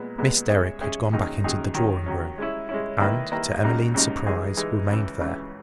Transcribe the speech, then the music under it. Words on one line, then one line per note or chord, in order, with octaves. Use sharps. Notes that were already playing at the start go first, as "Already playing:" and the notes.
Miss Derrick had gone back into the drawing-room, and, to Emmeline's surprise, remained there.
Already playing: A#2 G#3 B3
A#2 G#3 B3
G#3 C#4 G#4 C#5 E5
G#3 C#4 G#4 C#5 E5
F#2 D#3 A#3 D#4 G#4
F#2 D#3 A#3 D#4 G#4
D#3 F#3 C#4
D#3 F#3 C#4
G#3 C#4 E4
G#3 C#4 E4
D#3 A#3 E4 B4 D#5
D#3 A#3 E4 B4 D#5
C#2 C#3 F#3 A#3 D#4
C#2 C#3 F#3 A#3 D#4
E3 G#3 D#4 G#4
E3 G#3 D#4 G#4
C#2 C#3 E3
C#2 C#3 E3